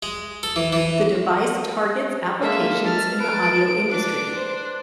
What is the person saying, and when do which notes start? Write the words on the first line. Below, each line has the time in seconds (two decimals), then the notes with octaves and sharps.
The device targets applications in the audio industry.
0.03 G#3
0.43 A4
0.56 E3
0.73 E3
2.42 G#3 A#3 A4 E5 F5
2.85 A5 F6
3.20 B4 A5 D7
3.91 D4 D6
4.35 C5